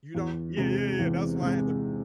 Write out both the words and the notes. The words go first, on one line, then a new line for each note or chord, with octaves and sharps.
You don't Yeah, yeah, yeah, that's why I had to
E2
C3 G#3
E2
C3 G#3